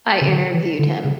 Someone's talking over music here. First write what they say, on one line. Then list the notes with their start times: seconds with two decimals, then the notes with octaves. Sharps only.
I interviewed him.
0.21 C#3
0.29 D3
0.54 E3
0.79 D3
1.04 C#3